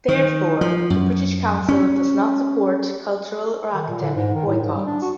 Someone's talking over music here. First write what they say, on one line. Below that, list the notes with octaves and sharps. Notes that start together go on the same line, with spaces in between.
Therefore the British Council does not support cultural or academic boycotts.
D#3
F3
F#2
C#4
D#3
A#2
D3
G#2
D#3
A2
G#2
G3
D4
F#4